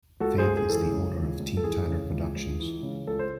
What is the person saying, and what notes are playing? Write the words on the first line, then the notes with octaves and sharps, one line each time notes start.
Faith is the owner of Team Tyler Productions.
C#2 F#4 A4
G#4 C5
C#2
G#4
E3 A4
G#4
C#3
C#2
C#2
A4
E3 G#4
C#3
C#2
C#2
E3
C#3
C#2 A4
C5